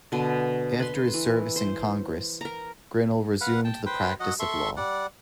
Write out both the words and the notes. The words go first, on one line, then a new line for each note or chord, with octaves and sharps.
After his service in Congress, Grinnell resumed the practice of law.
B2 D3
B4 C6
E3
C5
A#4 A#5
B4 F5 F#5
G5 A5
B4 C5 G5
F#3 D#5 F#5
A4 E5 C6 C#6
G3 D5 F#5